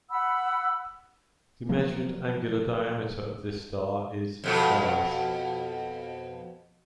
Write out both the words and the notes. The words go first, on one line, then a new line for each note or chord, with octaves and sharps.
The measured angular diameter of this star is mas.
F#5 B5 E6
C3 F3 F#3 A#3
F2 B2 A4